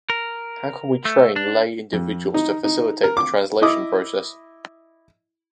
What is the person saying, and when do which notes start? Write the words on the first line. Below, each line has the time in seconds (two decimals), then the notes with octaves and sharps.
How can we train lay individuals to facilitate the translation process?
0.10 A#4
1.05 A3
1.36 D4
1.93 F2
2.34 D#4
2.64 D#4
3.03 A#4
3.17 D6
3.62 E4 D#5 D6 D#6